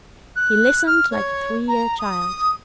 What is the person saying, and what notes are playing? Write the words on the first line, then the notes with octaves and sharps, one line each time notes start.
"He listened like a three-year child."
F#6
F6
C#5
A#5
D#6